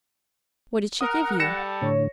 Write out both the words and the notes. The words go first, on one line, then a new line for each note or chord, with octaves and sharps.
'What did she give you?'
A#4 F#5 D#6
G3 A4 A5 A#6 C#7 E7
A2 D3 C#5